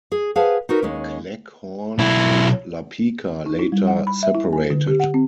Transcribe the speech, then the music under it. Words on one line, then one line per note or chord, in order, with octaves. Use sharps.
Cleghorn and Lapeka later separated.
G#4
G#4 B4 C5 F5 F#5 A5
D#4 F#4 A#4 B4
D#2 G#3 C#4
B1 E4
D#4
E4
G3
F#5
B5
E5
E4
G#5
D3
G4
F#5
C4